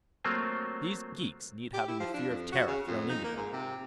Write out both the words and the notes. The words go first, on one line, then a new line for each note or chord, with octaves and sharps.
"These geeks need having the fear of Terra thrown into them."
F#3 A3 A#3 C4 F4 C5
G4
E4
F3
D4
F2
F#4
C#3
F2
D#4
A#3
G#2
C3